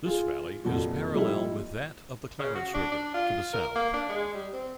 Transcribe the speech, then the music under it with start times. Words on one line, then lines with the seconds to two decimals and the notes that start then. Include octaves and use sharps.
This valley is parallel with that of the Clarence River, to the south.
0.05 F4 G#4
0.65 F1 F2 A#2 F#4
1.14 A#2 F3 G3 D#4 E4
2.39 C#3
2.55 F#4
2.74 D4
2.92 D4
3.14 F4
3.54 A#4
3.76 A#3
3.94 D4
4.09 G#3
4.35 G3
4.54 C4